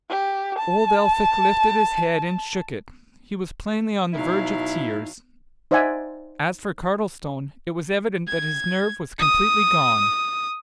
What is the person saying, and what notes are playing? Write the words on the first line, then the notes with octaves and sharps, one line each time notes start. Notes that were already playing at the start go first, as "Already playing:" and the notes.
Old Elphick lifted his head and shook it; he was plainly on the verge of tears; as for Cardlestone, it was evident that his nerve was completely gone.
G4
A5
B2 F#3 D#4 E4 F5
D#4 C5 D5 E5 F#5 G#5
G#6
D#6